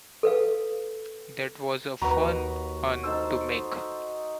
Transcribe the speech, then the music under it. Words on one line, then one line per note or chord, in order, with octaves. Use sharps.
That was a fun one to make.
A4 B4 F5
D#2 F#4 B4 A#5
D#4 A4 C5 E6